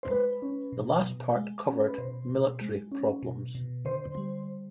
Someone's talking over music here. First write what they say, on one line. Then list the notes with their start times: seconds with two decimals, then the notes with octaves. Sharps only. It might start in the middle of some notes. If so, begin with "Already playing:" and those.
The last part covered military problems.
0.03 C5
0.10 G#3 B4
0.42 C#4
0.72 B2
1.04 B2
1.36 G#3
1.66 C#4
1.88 B4
1.98 B2 C5
2.30 B2
2.61 G#3
2.92 C#4
3.23 B2
3.55 B2
3.85 D3 C5
4.17 G3